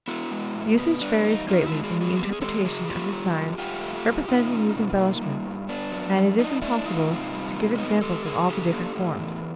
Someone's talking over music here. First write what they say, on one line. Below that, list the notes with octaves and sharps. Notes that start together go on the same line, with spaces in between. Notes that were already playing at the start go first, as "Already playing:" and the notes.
Usage varies greatly in the interpretation of the signs representing these embellishments and it is impossible to give examples of all the different forms.
B3 E4 F#4
G#3
A2
B3
G3 D4
E2 D#4
C#4 D#4 F4
E4 F#4
G#3
F#4 G#4
E2
F#4 G#4
B3 F#4
G4
G#4
G#3 G4 A4
C#3 F#4 G#4
A#3 F4 G4
G3
F#2
G2 F4 G4
A3
G2
B2 D#4 F4
C#4
B2
A#3
G3
G2
B3 D4
F#3
F#2
D4 D#4
A3 D4 E4
G#2 D#4 F4
C3
G3
C3
D4
B3 D#4
G#3 G4 A4
C#3 G#4 A#4
D4 G4 A4
A#3
A2
E2